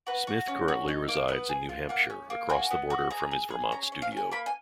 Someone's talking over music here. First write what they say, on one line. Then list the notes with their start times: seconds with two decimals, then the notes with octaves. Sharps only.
Smith currently resides in New Hampshire across the border from his Vermont studio.
0.07 F#4 B4
0.27 F#4
0.48 C#4
0.68 F#4
0.88 D#4
1.08 A#3
1.28 B3 B4
1.49 G#4
1.69 F4
1.89 A#3 F#5
2.10 C#4
2.30 A#3
2.49 F#4 G#5
2.70 B3
2.90 F#4
3.11 G#4 A#5
3.31 G#4
3.51 G#4
3.72 C#4 A#5
3.92 C#4
4.02 F5
4.12 C#4
4.17 G#5
4.31 A#3 B5
4.46 G#5